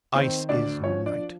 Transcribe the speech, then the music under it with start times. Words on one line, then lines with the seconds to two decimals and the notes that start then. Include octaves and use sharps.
Ice is night.
0.14 D#3 C4 C5
0.49 D2 D4 D5
0.83 F3 C#4 C#5
1.06 D4 D5
1.18 F3